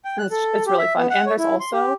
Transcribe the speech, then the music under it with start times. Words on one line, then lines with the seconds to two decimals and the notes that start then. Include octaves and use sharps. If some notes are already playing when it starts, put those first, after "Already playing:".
it's it’s really fun, and there's also
0.05 G5
0.19 F#6
0.31 A4
0.67 G4
0.78 E5
0.98 B3
1.10 F#5
1.26 C#5
1.38 E4
1.60 C6
1.73 G4